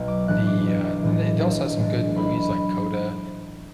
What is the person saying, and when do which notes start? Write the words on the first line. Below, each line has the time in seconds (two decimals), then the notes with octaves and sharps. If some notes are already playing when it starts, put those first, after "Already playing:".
the, uh the they also have some good movies like CODA
Already playing: B1
0.08 D6
0.27 A2 E3 G#3 D4 F#6
0.47 D6
0.66 B1
1.03 A2 E3 G#3 D4
1.41 B1
1.76 A2 E3 G#3 D4
2.16 B1 B5